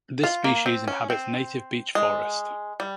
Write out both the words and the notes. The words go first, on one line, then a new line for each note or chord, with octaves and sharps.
This species inhabits native beech forest.
F4
A#3
C4
C#4
C4
G#3
G3